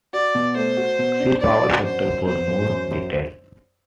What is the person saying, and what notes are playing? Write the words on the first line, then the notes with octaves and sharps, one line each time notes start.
See Power factor for more detail.
F#4 D5
B2
A3 C5
F#4
B2
D4
D4 D5
F#4
F#2 C5
F#2
B3 C5
F#2
F#2
F#2